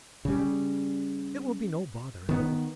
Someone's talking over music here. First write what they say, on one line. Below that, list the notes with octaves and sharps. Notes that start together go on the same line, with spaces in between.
"It will be no bother at all."
C#3 G3
D#3 B3